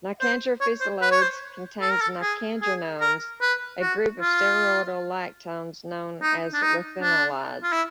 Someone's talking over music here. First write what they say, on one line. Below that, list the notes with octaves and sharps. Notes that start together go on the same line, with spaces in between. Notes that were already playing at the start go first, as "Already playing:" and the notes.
"Nicandra physalodes" contains nicandrenones, a group of the steroidal lactones known as withanolides.
C5
C#5
C5
B4
C#5
C5
A4
A#4
A4
G#4
G#4
A#4
B4
F#4
F4
D#4
D4
D#4
D4
F4
E4